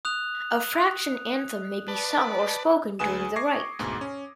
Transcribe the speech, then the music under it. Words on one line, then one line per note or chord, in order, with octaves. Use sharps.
A Fraction Anthem may be sung or spoken during the rite.
D#6 F#6 F7
B4 D5 A5
D2 G#3 B4 G#5 D#6 E7
C#6 D6 G#6 A#6 C7
D2 G#2 B2
C#4